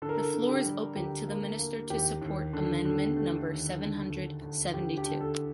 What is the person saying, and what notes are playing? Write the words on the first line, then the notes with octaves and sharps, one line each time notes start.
The floor is open to the Minister to support amendment number seven hundred seventy-two.
D3 A4
A#4
A4
D3
G4
G3
D2 G4
A#3
A#3
D#2 G4
D#2
D3
D3
A3
D#2
D3
D2
D2
D2 G4
G4
D3
A4